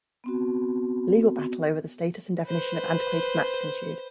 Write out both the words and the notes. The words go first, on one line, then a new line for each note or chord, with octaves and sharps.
A legal battle over the status and definition of "antiquated maps" ensued.
B3 C4 F#4
B4 C5